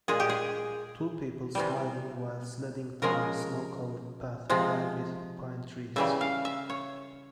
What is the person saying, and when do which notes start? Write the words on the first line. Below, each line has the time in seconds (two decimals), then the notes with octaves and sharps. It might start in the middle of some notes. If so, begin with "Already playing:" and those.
Two people smiling while sledding down a snow covered path lined with pine trees.
0.08 A#2 G#3 G#4
0.20 G4
0.29 G#4
1.55 C3 E3 G3
3.02 C#3 F3 G#3 A#4
4.50 C3 F3 G#3
5.96 C#3 E3 G3 E5
6.21 F5
6.45 E5
6.70 C#5